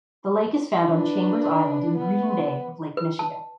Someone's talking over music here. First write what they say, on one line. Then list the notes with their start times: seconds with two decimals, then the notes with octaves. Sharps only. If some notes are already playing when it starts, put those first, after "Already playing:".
The lake is found on Chambers Island in Green Bay of Lake Michigan.
0.89 D4 B4
1.98 B3
2.97 B4
3.19 A5